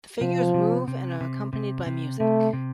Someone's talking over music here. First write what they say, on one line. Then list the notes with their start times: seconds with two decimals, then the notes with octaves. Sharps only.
The figures move and are accompanied by music.
0.21 C3 F3
0.54 C3
0.88 C3
1.21 C3
1.53 C3
1.86 C3
2.19 C3 A3
2.53 C3